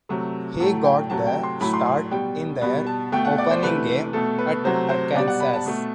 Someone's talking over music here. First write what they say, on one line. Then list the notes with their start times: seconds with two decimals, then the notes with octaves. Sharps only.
He got the start in their opening game at Arkansas.
0.09 C3 F#3 A3
0.59 A2 F#3 A3 A5
0.84 G5
1.10 C3 F#3 A3 A5
1.27 G5
1.43 C6
1.60 A2 F#3 A3 B5
1.73 C6
1.86 C6
2.11 B2 G3 G5
2.62 B2 G3 B5
2.87 A5
3.12 B2 A3 G5
3.25 F#5
3.38 D5
3.51 C5
3.63 C3 E3 A3 B4
4.13 B2 A3 A4
4.38 B4
4.64 C3 F#3 A3 C5
4.89 C5
5.15 B2 G3 D5
5.28 F#5
5.40 B5
5.53 A5
5.66 B2 A3